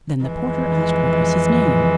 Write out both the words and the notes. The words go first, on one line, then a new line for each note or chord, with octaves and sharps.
Then the porter asked what was his name.
F2 E3 G#3